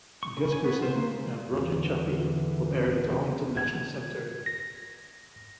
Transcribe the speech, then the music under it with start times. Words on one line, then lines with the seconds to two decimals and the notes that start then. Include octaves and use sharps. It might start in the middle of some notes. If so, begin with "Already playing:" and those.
Gus Grissom and Roger Chaffee were buried at Arlington National Cemetery.
0.23 C#6
0.37 C#3
0.52 G#5
0.64 B3
0.82 C5
0.96 A#3
1.10 G#3
1.50 E2 D3
3.57 G#6
4.46 A#6